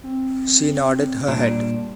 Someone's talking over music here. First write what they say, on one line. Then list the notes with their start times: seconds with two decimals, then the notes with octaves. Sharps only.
She nodded her head.
0.03 C4
1.28 A#2 G3 D4